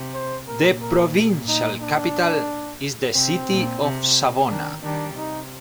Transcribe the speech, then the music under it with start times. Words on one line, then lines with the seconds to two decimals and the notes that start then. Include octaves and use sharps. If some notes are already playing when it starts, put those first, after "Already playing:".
The provincial capital is the city of Savona.
Already playing: C3
0.14 C5
0.47 A#2 A#4
0.81 A#4
1.48 D#4
1.81 D4
3.15 C3 C4
3.48 A#2
3.83 C3
4.49 D#3 D4
4.83 D#3 G3 D4
5.16 C3 D#4